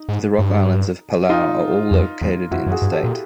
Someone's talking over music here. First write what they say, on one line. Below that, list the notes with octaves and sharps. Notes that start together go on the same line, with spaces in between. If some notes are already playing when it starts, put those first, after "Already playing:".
The Rock Islands of Palau are all located in the state.
Already playing: D#4
G#2
G2
D#4 F4
F2
E2
F2 E4 F#4
F#2
F#4 G#4
G2
G4 A4
A#2